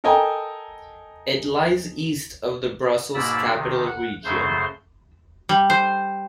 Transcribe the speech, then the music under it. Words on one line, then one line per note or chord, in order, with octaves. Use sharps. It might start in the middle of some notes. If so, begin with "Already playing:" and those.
It lies east of the Brussels-Capital Region.
A4 A#4 D#5 G5 G#5 A#5
G#2 B2 A#3 D5 B5 E6
C3 D#3
F#5
F#2 C#3 A3 C5 C6
G3
C5